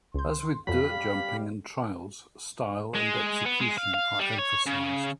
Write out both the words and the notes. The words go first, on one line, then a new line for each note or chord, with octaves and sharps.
As with Dirt Jumping and Trials, style and execution are emphasized.
C#2 C6 G6
F2 F#3 G3 G4 F5 B5
G#3
B3
G#3
F5
F5
G3
C#5
C#3